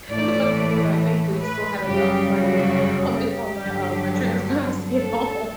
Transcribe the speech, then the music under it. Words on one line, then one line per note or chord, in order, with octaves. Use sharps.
And the funny thing is I, thankfully, still had enough money on my on my, um my trans pass to get home.
A2 E3 A3 D5
B4
F#2 C#3 G3 G4
F#4
G4
G2 D3 F#3
A4